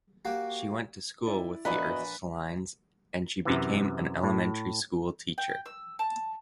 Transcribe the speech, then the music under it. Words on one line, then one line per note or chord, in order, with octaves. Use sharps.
She went to school with the Ursulines and she became an elementary school teacher.
A#3 F#4 G4
E4 D5
A#1 E2 F#4 B4 D5 D#5 G#5 A#5
F#2 C3 E3
A2
G5
E6
A5